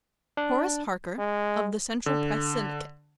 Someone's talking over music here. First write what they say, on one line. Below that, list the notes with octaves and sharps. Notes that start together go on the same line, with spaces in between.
Horace Harker, of the Central Press Syndicate.
D4
G#3
D3